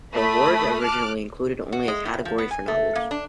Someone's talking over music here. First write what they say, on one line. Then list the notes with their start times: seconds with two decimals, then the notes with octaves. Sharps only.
The award originally included only a category for novels.
0.12 A3 B5 D#6 B6
0.80 A5 D6 F6 F#6
1.72 F#4
1.88 G#3
2.05 A2
2.25 F3
2.38 B3
2.51 G#5
2.68 A3
2.95 A#3
3.11 D4